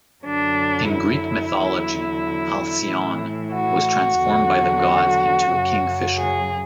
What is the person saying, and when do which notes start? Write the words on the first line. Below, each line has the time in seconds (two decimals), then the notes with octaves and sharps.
In Greek mythology, Alcyone was transformed by the gods into a kingfisher.
0.23 F#2 D3 F#3 D4
0.89 E4
1.55 E2 D3 F#3
2.87 A2 E3
3.53 F#4
4.19 E2 D3 F#3
5.50 F#2 C#3 F#3
6.17 G#4